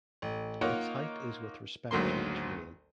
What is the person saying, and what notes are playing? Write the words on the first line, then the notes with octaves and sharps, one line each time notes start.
Its height is with respect to the terrain.
A1
A#3 D#4 F4 A#4 C#5 F#5
G#1 D2 F#3 A#3 C6